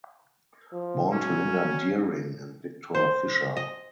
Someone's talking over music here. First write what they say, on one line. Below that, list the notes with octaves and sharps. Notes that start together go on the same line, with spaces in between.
Born to Linda Deering and Victor Fisher.
F3
F#3 C#4
C5
D#5